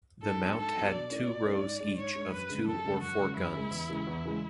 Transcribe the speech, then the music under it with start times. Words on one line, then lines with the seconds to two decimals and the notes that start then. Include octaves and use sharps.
The mount had two rows each of two or four guns.
0.23 G#2 A4
0.41 F#3 B3 D4
0.58 G#2 A4
0.76 F#3 B3 D4
0.92 B2 D5
1.10 A3 C#4 E4
1.27 B2
1.45 A3 C#4 E4
1.63 G#2
1.80 G#3 D4
1.97 G#2 C#5
2.15 G#3 D4
2.32 F#2 B4
2.49 C#3 G#3 D4
2.67 F#2 A4
2.85 C#3 G#3 D4
3.02 F#2 F#4
3.19 C#3 G#3 C#4
3.36 F#2 E4
3.54 C#3 G#3 C#4
3.71 E2
3.89 C#3 E3 G#3
4.07 E2
4.25 C#3 E3 G#3